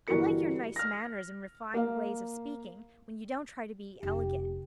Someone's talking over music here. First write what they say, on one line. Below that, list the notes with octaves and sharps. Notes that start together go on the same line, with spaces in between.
I like your nice manners and refined ways of speaking, when you don't try to be elegant.
G1 E3 G3 F#4 A#4 C#7
F6 A#6
A#3 F5
F1 G4